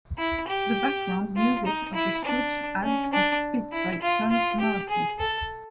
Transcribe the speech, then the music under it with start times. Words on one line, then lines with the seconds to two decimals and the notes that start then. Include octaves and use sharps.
The background music of the Switch Ads is "Spit" by John Murphy.
0.18 E4
0.47 G4
1.36 F4
1.66 D#4
1.95 E4
2.24 D4
2.83 C#4
3.13 D4
3.72 E4
4.02 F4
4.30 F4
4.60 G4
4.89 G#4
5.19 A4